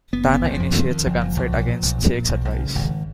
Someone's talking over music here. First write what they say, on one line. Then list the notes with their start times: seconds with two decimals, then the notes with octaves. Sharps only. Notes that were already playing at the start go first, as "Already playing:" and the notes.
Tanner initiates a gunfight against Jake's advice.
0.13 F#1 B3
0.28 F#1
0.34 B3
0.44 F#1
0.54 F3
0.60 F2
0.75 F2 D#3
0.90 F2
1.06 F#1 F3
1.21 F#1
1.36 B1 F3
1.52 B1
1.68 A#2
1.82 B1
1.98 A#2
2.14 A#2
2.29 B1
2.45 B1
2.60 C#3
2.75 G#1